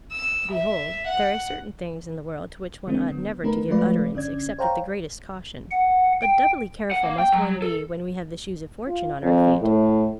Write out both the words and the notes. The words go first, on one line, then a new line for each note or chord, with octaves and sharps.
Behold--there are certain things in the world to which one ought never to give utterance except with the greatest caution; but doubly careful must one be when we have the Shoes of Fortune on our feet.
E6
E5
F#5
D3 G#3 A#3 C4 D4
D3 B3
C#3 A3 B3 D#4 A#4 B4
F3 G#3 A3 F4 B4 D5
G1 D3 C#4 D5 G#6
C5 C#5 F5 G5 A#5
F#5
G5
F#5
A#3
G5
F#3
A4
F4
F2
A2